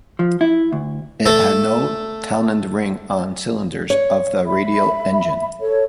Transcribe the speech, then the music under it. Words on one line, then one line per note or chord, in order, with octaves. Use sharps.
It had no Townend ring on cylinders of the radial engine.
F3
E4
D2
A3 A4
C#5
E5 B5
A4 C#5